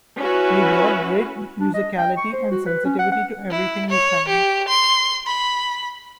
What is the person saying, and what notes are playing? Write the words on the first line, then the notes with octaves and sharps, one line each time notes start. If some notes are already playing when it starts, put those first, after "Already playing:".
You brought great musicality and sensitivity to everything you sang.
C#4 E4 F#4 B4
D4
D#5
G5
C#6
C5
F#4
B4
C#4
F#5
F#5
E4
C#5
G4
C6
B5